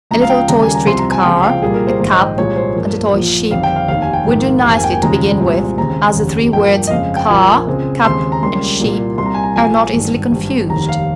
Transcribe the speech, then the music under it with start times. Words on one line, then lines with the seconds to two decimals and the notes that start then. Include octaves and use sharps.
A little toy street car, a cap, and a toy sheep, would do nicely to begin with, as the three words, "car," "cap," and "sheep," are not easily confused.
0.11 C#2 C#3 F3 A#5
0.22 F5
0.30 G5
0.48 D#2 C#3 G3 A#3 A#5
0.62 G#5
0.75 A#5
0.86 C2 C3 F3 C4 C6
0.98 A#5
1.12 G#5
1.24 C#2 C#3 F3 G#3 C4 G5
1.43 F5
1.49 G5
1.62 C2 A#2 G3 A#3 G#4
1.74 A#4
1.87 C5
1.99 A#1 G#2 D#3 C5
2.12 D#5
2.24 G5
2.38 C2 A#2 F3 G#3 C#5
2.56 C5
2.76 G2 F3 A#3
3.13 A#1 A#2 F3
3.51 G1 F2 D#3 G3 C4 F5
3.63 G5
3.76 F5
3.88 F1 D#2 D#3 F5
4.02 G#5
4.13 G5
4.26 A#1 G#2 D#3 A#3
4.64 F1 F2 D#3 A#3 F5
4.74 G#5
4.84 G5
4.92 G#5
5.02 F1 D#2 C#3 F3 G#3 A#5
5.40 C2 A#2 G#3 C4
5.78 D#2 C#3 G#3 C4 A#5
6.16 F1 D#2 C#3
6.53 G2 F3 A#3 G5
6.87 D#5
6.91 F2 C#3 G#3 F5
7.17 G5
7.29 A#1 A#2 F3 A#3 G#5
7.67 C#2 C#3 G#3 C4
8.04 D#2 C#3 G#3 C4 C6
8.32 A#5
8.42 C#2 C#3 G3 A#3 C6
8.80 C2 A#2 G3 A#3
9.18 C2 C3 G3 A#3 C6
9.26 A#5
9.34 G#5
9.43 A#5
9.56 A#1 A#2 F3 G#3 G#5
9.93 G#1 G2 D#3
10.31 G#1 G2 G3
10.69 F1 D#2 D#3 A#5
10.89 F5